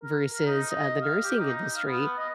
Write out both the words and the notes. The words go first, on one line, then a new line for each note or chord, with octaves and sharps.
versus, uh, the nursing industry,
A#4
A#4
D#4
D#5
F5
G4
D#4
F5
B3
D#5